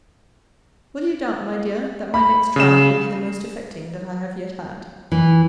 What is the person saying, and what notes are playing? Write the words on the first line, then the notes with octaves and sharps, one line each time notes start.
Will you doubt, my dear, that my next trial will be the most affecting that I have yet had?
B5
C#3 E7
E3